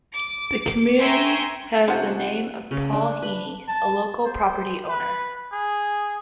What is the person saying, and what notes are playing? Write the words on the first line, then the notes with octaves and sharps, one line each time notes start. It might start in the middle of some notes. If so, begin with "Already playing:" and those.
The community has the name of Paul Heeney, a local property owner.
D6
E5 G5 G#5 A#5 C6 C#6
C3 F3 C#4 D#4 C5 F#5
C#3
D4
B4
A5
C5
B4
G#4